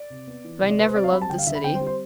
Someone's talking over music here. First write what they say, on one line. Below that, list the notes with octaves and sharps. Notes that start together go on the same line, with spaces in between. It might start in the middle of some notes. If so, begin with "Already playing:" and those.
But I never loved the city.
Already playing: D5
C3
B3
E3
C3
D5
C3 B4
C5
C4 D5
F5
G3 B5
A5
D3 G5
F5
D3 E5
B5
C4 G5
C5
G3
C5